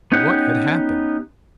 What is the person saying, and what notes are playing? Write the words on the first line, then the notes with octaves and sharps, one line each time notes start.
What had happened?
B3 C#4 D#4 G4 F#5